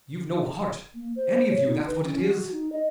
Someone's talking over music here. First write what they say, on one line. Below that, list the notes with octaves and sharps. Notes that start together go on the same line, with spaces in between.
You've no heart, any of you--that's what it is?
A#3
C5
C#5
D#4
B4
C#4
F#4
D#4
D#5